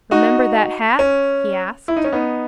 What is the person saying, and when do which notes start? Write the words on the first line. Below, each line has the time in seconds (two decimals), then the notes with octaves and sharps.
"Remember that hat?" he asked.
0.11 D#4 F#4
0.99 C#4
1.88 E4
1.97 D#4
2.04 C#4
2.13 B3 D#4